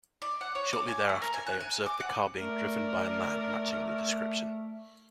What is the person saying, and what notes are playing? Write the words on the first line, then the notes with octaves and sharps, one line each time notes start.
Shortly thereafter they observed the car being driven by a man matching the description.
D5
F#5
C#5
D6
G#5
A3
A#4
G#5
F#6
G#5
D6
F#5
A3 A#4 D5